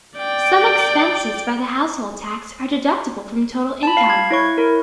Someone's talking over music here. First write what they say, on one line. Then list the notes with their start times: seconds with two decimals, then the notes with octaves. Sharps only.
Some expenses by the household tax are deductible from total income.
0.17 D5 G5
3.83 A5 B5
3.97 F5
4.10 G#6
4.31 E4 C#5 C#6
4.58 E4 A#4